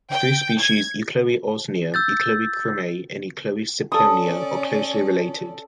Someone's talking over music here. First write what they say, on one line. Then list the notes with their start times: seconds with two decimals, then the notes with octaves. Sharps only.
The three species "Euchloe ausonia", "Euchloe crameri" and "Euchloe simplonia" are closely related.
0.11 G5
0.60 G#6
1.94 E6 G6 A6
3.92 C#4 A4 D5 D#6